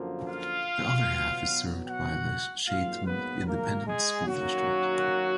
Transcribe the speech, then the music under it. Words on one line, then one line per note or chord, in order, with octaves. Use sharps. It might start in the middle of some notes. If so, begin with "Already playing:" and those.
The other half is served by the Sharyland Independent School District.
Already playing: F#2 D3 F3 A#3
F4 F5
B2 F#3 B3
F#4 F#5
G#2 F#3 A#3 F4 F5
B3 B4
A#3 A#4
G#3 G#4
F#2 D#3 F#3 A#3 F#4